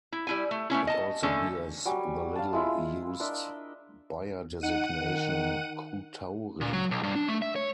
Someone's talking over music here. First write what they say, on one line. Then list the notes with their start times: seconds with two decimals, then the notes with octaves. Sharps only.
It also bears the little-used Bayer designation "q Tauri".
0.12 E4
0.27 G3 E4 G#5
0.51 A3
0.70 A3 B3 C#4 E4
0.87 D#5 A5
1.23 D3 A3 C#4 A4
1.85 F#3 G3 G#5
2.36 F5 A5
2.53 G#3 E4 F4
3.20 D4 A#4 D#5 E5
4.61 D#4 F#5 D#7
4.98 D#3
6.61 A#2
6.73 F#3
6.91 B1
7.03 G2
7.15 D4
7.28 A3
7.42 E5
7.56 C#5